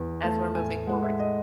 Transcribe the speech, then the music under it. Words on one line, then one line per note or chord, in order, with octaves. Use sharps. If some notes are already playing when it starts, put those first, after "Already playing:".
as we're moving forward.
Already playing: E2
A3 A5
A2 G#5
G#3 F#5
E5
D#5